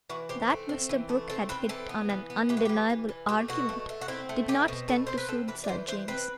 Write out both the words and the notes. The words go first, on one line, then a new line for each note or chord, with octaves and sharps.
That Mr. Brooke had hit on an undeniable argument, did not tend to soothe Sir James.
E3 F#4
C4 G4
A3
C4
E3
A3
C4 A4
C4 B4
E3 A4
B3
E3
B3
E3 G4
F#4
E3 G4
E3
E3
A3 G4
B2 F#4
A3
A3
F#4
C4 E4
A3
C4 G4
B2
A3 A4
C4 C5
B4
C4 A4
E3 B4
D5
E3 C5
E3 C5
C4 B4